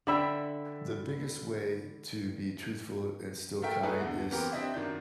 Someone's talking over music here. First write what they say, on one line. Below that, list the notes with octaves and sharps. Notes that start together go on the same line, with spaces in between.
the biggest way to be truthful and still kind is
D3 D5 E5 G5 B5 E6
A3 A#4 E5 G5
A3 D#4 E4 G#4 B4
E2 D3
E3 B3 C4 G4 A#4
C4 D4 E4 G4 D#5 E5
F#2 D#3 D4 G6